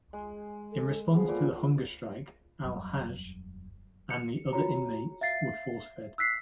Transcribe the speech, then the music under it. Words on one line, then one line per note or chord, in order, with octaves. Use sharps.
In response to the hunger strike, Al Hajj and the other inmates were force-fed.
G#3
A4
F3 B3 G#4
A#2
E1 F#2 F#3 G3
C#7
F4 F#4 C#5 A#5
E5 F5 A6 C7
E6 F#6 B6 C7